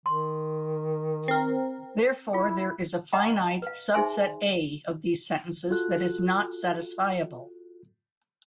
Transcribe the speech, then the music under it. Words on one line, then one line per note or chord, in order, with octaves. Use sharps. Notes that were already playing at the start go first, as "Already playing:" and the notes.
Therefore, there is a finite subset "A" of these sentences that is not satisfiable.
D#3 C6
C4 A#4
E4 F4 G#4
D#5 F#5 G5 A#5 B5
B4 F5
D#4 G#4 C5 E5 G#5 C6
F4 F#4 A4 F#6